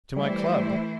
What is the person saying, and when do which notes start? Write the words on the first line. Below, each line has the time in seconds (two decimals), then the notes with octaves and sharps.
"To my club."
0.16 E3 G3 A3 E4 C5